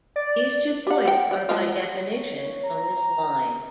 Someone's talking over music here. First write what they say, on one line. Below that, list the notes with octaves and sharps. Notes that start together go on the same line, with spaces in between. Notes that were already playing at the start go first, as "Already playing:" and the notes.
These two points are by definition on this line.
D5
G4 F#5
F#5 G5
G3
F3 G#3 F4
C#5
A#5